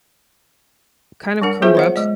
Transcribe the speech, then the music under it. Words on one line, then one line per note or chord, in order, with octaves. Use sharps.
kind of corrupt
G3 D4 A#4 F#5
F#3 B3 F4 G#4 C5 E5
C5 C#5 F#5
G#3 D5